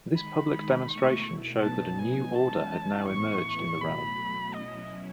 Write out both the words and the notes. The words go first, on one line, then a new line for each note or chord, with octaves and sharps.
This public demonstration showed that a new order had now emerged in the realm.
D#3 G#3 D#4 B5
B2 A3 E4 C#6
B2 F#3 B3 D#4 A5
G#5
E3 G#3 C#4 E4 A5
A2 E3 B3 E4 C#6
B2 F#3 A3 B5
B2 F#3 C#4 E4 D#5